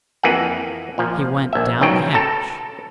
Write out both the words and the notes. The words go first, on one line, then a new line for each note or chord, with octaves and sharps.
He went down the hatch.
F2 E3 A#3 G#4 F#5
A#2 F3
A#1 E5
B1 G#2 C#3 F#3 G5
A4 A5 A#5